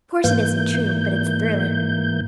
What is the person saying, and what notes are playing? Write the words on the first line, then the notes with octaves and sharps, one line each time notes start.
"Of course it isn't true, but it's thrilling."
G#2 E3 A#3 G6